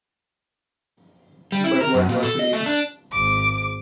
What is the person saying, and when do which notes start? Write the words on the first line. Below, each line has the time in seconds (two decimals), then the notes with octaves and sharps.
But what about Williams?
1.52 G3
1.64 E4
1.81 A#4
1.94 F#2
2.09 A#2
2.23 A4
2.39 D#5
2.53 A3
2.66 D4
3.12 G#1 D6